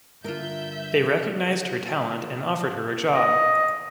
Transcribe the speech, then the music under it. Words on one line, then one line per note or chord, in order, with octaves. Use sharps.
They recognized her talent and offered her a job.
G2 D3 F4 A#4 E5 G6
D#5